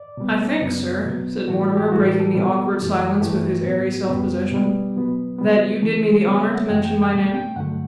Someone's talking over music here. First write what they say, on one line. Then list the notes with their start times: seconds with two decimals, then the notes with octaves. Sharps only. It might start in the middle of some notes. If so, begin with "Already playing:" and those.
'I think, sir,' said Mortimer, breaking the awkward silence with his airy self-possession, 'that you did me the honour to mention my name?'
Already playing: D5
0.17 B2 G3 B3
0.62 F#2 C#3 F#3 B3
1.05 B2 F#3 B3
1.48 A2 E3 A3 F#4
1.62 G4
1.77 G4
1.92 A2 E3 G3 F#4
2.06 G4
2.20 A4
2.35 B2 G3 B3
2.78 F#2 E3 A3
3.21 G2 E3 A3 G4
3.65 A2 F#3 B3
4.05 F#4
4.09 F#2 C#3 G3 B3 G4
4.52 B2 G3 B3
4.96 B2 F#3 B3
5.39 C#3 G3 B3
5.82 C#3 E3 A3
6.25 C#3 G3 B3 C#5
6.41 E5
6.55 F#5
6.69 F#2 E3 A3 G5
6.85 G5
7.02 G5
7.13 B2 A3
7.18 G5
7.35 G5
7.56 G2 D3 F#3 A3 F#5